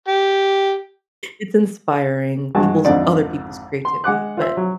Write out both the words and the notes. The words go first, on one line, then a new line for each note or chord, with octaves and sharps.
it's inspiring people's other people's creativity, but
G4
G2 F3 G#3 F#4 A5
G#1 F2 D3 D#4 D5
C6
G#3 F#5 D6 F#6
F4 C5 E5
F#3